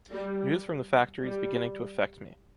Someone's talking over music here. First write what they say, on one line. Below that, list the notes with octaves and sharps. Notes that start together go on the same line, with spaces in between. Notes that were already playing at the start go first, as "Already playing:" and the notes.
News from the factory is beginning to affect me.
G3
G3